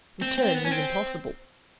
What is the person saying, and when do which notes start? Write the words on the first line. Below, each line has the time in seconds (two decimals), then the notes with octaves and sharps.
Return was impossible.
0.21 C4
0.38 C4
0.54 B3
0.65 C#4
0.71 C4